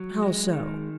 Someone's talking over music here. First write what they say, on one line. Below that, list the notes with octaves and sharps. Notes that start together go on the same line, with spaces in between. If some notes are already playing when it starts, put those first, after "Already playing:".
"How so?"
Already playing: F#3
G#3
D#3